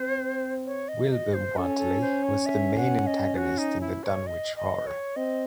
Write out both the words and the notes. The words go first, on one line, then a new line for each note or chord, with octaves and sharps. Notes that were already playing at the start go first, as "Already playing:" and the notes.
Wilbur Whately was the main antagonist in the Dunwich Horror.
Already playing: C4 C5
C#5
D#5
D#5
C5
C#4 A4
A4
C5
C#5
E5
F#5
D#5
F#4
D#4
E4
C#5
D#5
D#5
C#5
C4 D#5